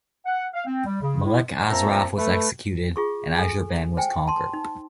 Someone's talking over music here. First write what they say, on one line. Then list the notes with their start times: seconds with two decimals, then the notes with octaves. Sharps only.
Malek Asraf was executed, and Azerbaijan was conquered.
0.25 F#5
0.54 F5
0.65 C4
0.85 G3
1.01 C#3
1.24 A2
1.67 A#2 C4 E5 A5 A#5
2.18 A3 B4
2.96 F4 G#4 C#6
3.39 A4 G#5
3.97 C5 G5 G#5
4.27 A5 C6
4.53 D#4